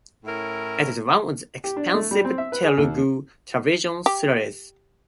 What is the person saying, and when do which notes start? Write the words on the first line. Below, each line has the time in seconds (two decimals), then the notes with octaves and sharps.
It is one of the expensive Telugu television series.
0.24 A2 C#4 E4 A#4
1.64 G4
1.77 D4
1.94 A3
2.11 G3
2.25 C4
2.38 E5
2.52 B4
2.64 G#4
2.77 D#2
4.06 G4